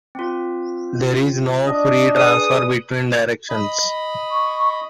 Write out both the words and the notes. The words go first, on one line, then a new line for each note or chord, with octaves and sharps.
There is no free transfer between directions.
C4 F4
D4 D#5
G#4 B4 D5 G#5 D#6
D#5 B5
C#6